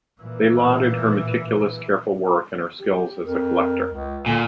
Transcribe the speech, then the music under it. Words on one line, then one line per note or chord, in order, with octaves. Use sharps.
They lauded her meticulous, careful work and her skills as a collector.
A#2 E3
G4
F2 A#4
C#2
A#2 D3 G#5